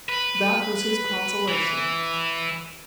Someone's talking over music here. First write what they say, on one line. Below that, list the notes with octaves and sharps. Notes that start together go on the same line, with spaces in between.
That was his consolation.
B4
E3